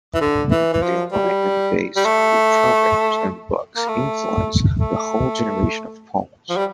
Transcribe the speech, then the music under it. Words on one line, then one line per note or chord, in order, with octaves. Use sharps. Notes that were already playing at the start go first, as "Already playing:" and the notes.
The Enlightenment-based school programmes and books influenced the whole generation of Poles.
E3
D3
E3
E3
F3
G3
G3
A3
A#3
A3
A3
F3
G3